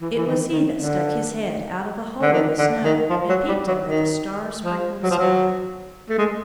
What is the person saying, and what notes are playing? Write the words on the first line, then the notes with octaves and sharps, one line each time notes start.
It was he that stuck his head out of a hole in the snow and peeped up at the star-sprinkled sky.
E3
E3
D#3
D#3
D3
D3
D#3
D3
D#3
F3
F#3
G3
F#3
D#3
F3
F#3
F3
F#3
A3
G#3